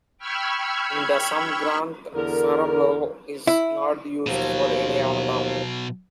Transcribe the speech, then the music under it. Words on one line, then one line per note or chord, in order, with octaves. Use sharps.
In Dasam Granth, Sarabloh is not used for any Avtar.
G5 B5 C#6 E6 F6 G#6
E2 D3 A#4
E4
D#2 B2 F3 F#3